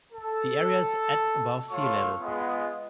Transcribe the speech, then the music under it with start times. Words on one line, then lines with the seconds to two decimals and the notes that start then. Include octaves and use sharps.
The area is at above sea-level.
0.13 A4
1.71 A3 F4 A4 C#5 A5 C#6
2.20 G#3 B3 F4